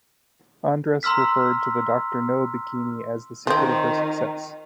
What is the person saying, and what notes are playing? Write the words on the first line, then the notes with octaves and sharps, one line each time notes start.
Andress referred to the "Doctor No" bikini as the "secret of her success".
A#5 C6 E6 F6 B6
D#3 F3 C4